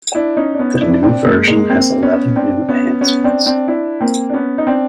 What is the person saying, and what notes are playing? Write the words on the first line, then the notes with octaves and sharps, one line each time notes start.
The new version has eleven new enhancements.
D4 E4
C#4 D#4
D4
B3 C#4
D4 E4
C4 D4
G#3 A#3
G#3 A#3
A#3 C4
B3 C#4
C4 D4
B3 C#4
B3 C#4
C4 D4
C4 D4
D4 E4
A#3 C4
D4
B3 C#4
D#4
C4 D4